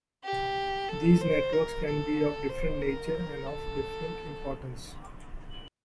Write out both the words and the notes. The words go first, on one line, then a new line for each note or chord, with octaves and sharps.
These networks can be of different nature and of different importance.
G4
A4
C5
A#4
A4
C5
A#4
A4